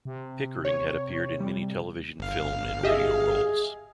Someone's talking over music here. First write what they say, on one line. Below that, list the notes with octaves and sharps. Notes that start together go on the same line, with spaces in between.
Pickering had appeared in many television, film and radio roles.
C3
C#5
G3
G1 F5
G4 G#4 D#5 E5